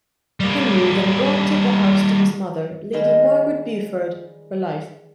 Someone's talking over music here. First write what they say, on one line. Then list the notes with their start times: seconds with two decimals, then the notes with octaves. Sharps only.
Henry then granted the house to his mother Lady Margaret Beaufort, for life.
0.40 G3 A#3
2.93 D#3 G3 G#3 B3 D#4